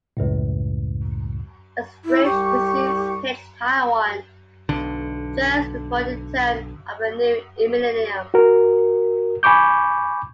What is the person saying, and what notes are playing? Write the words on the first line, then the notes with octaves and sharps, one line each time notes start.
A strange disease hits Taiwan just before the turn of the new millennium.
C#2 F#2 A2
E4
C2 G4 C#6
B1 D3
F#4 A#4
G#5 B5 C#6 D6 G6